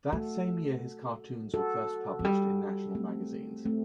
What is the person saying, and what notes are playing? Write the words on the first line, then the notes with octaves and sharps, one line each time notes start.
That same year his cartoons were first published in national magazines.
A3 F#4 A4
F#4 A4
F#3
G3
A3 C4
A3 C4